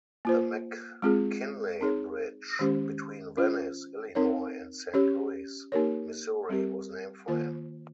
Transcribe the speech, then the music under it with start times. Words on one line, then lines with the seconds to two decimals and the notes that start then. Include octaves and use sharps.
The McKinley Bridge between Venice, Illinois and Saint Louis, Missouri was named for him.
0.25 A#3 F4 C5
1.02 G#3 C4 F4 G#4
1.81 C4 D#4 G#4 C#5
2.59 D#3 G#3 C#4 G4 C5
3.37 C#4 F4 C5
4.15 C4 D#4 A#4 C#5
4.94 C#4 G4 C#5
5.72 A#3 D#4 G4 A#4 C#5
6.49 G3 C4 G4 A#4
7.28 D#3 A#3 F4 C5